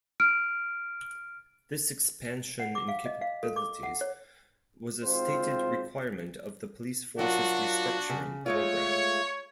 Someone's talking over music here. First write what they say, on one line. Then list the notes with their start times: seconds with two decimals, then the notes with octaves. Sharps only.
This expansion in capabilities was a stated requirement of the police force's restructuring program.
0.20 F6 D7
2.60 F#5
2.75 D6
2.88 F5
3.06 D#5
3.21 F5
3.43 A4
3.56 D6
3.83 F#5
4.01 C#5
5.04 G#1 C4 F4 C5
7.19 F#3 D4 F4 F#4 A#4
8.10 C#3
8.46 G#3 A3 F4 C#5